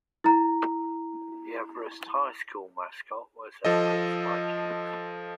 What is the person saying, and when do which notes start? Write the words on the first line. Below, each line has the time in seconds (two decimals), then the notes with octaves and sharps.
The Everest High School mascot was Everest Vikings.
0.24 E4 A#5
3.65 F3 A4 D#5